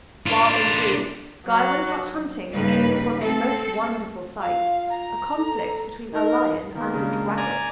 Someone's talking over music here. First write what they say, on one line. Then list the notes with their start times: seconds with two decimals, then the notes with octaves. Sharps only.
While in Greece, Guy went out hunting and came upon a most wonderful sight, a conflict between a lion and a dragon.
0.26 D4 F4
1.47 F#3
2.52 G2 C#3 G3 A#3 D#4 B4
3.21 A3 C4 A4
4.41 F4 F5
4.90 A#5
5.38 A4
6.13 D#4 A#4
6.75 D#3 A#3 B3 A#4
6.94 C#3 G#3 D4
7.38 D5 G#5 A#5